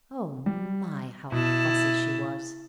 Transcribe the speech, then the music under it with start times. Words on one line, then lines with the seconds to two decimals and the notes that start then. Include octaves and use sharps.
Oh my, how fussy she was!
0.46 G3
1.32 B2 E4 A5